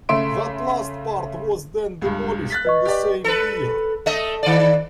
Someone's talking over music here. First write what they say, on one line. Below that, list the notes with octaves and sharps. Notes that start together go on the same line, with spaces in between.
That last part was then demolished in the same year.
C#3 A3 E5 C6 D7
C#2 G2
F#6 A6 B6
B4 D#5 C#6
G4 D5
A4 B4
A3 D#5
D#3 D5